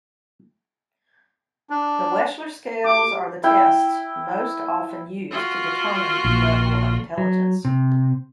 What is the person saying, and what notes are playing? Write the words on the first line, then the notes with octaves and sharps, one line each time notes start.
The Wechsler Scales are the tests most often used to determine level of intelligence.
D4
G4 D6
E4 G5
F4 F#4
A#1
F#3
C3